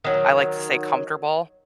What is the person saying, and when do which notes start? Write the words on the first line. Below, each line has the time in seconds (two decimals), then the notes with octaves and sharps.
I like to say, comfortable?
0.04 D#3 F#3